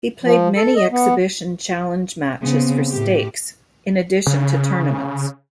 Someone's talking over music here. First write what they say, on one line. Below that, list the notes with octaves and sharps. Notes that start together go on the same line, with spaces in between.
He played many exhibition challenge matches for stakes, in addition to tournaments.
F3
A4
D#5
B3
C#3 B3 C4
A2 G4
C#3